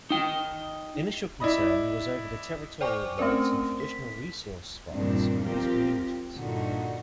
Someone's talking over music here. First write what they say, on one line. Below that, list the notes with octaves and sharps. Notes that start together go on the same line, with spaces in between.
Initial concern was over the territorial rights and traditional resource rights of these communities.
D#4 G5
E4 D5 D#5 B5
C5 D5 G5 G#5 C#6 D6
A3 C4 C#4 A#4 C5
B6
E2 G2 A#2 D#3 C4 D4
F3 C4 F4 G4 A#4
G2 A#2 D3 D#4 F#4